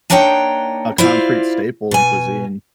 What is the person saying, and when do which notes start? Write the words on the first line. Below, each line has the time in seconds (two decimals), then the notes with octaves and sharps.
a concrete staple in cuisine.
0.10 A#3 D4 D#4 C#5 F#5 G5
0.98 E4 F4 C5 D5 F5
1.91 B2 G#5